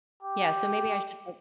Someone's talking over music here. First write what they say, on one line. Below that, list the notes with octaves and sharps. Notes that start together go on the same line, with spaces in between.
Yeah, so, maybe I should g
G4